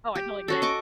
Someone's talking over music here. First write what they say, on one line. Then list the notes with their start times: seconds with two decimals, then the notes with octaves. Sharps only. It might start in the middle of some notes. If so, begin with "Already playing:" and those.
Oh, I totally get it.
0.15 G4
0.48 C#4 F#4 A4
0.62 D#5 C#6 D6